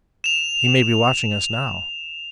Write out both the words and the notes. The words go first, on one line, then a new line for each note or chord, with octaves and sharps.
"He may be watching us now."
E7 F7